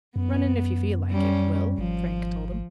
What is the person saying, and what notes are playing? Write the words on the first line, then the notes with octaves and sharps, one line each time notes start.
"Run in, if you feel like it, Will," Frank told him.
F#2 B3
G3 C#4
G#1 F3